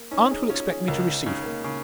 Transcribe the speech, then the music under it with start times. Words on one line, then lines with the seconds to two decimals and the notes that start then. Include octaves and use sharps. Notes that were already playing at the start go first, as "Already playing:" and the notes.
Aunt will expect me to receive him.
Already playing: A#3
0.11 C#4 D#4
0.31 G#4
0.49 C#4 F4
0.69 G#4
0.88 C#2 A#4
1.26 C#3 D#4
1.45 A#3
1.64 C#3